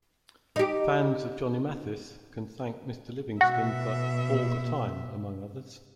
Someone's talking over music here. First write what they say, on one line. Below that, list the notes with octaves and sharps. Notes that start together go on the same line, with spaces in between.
Fans of Johnny Mathis can thank Mr. Livingston for All The Time among others.
D#4 G4
B2 F#4 E5